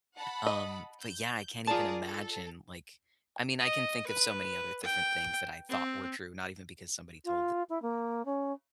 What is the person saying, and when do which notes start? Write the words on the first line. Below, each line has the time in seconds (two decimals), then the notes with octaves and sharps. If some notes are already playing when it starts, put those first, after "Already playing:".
um, but yeah, I can't even imagine, like I mean, I can think of so many other different things that I thought were true, not even because somebody told the
0.16 F#5 A5 B5
0.46 D#5
1.01 G6
1.67 F4 G#4 A#4 D5 A5
2.06 A4
3.59 D#5
4.07 B4
4.83 G5
5.69 C4
7.25 F4
7.69 E4
7.82 A#3
8.25 C#4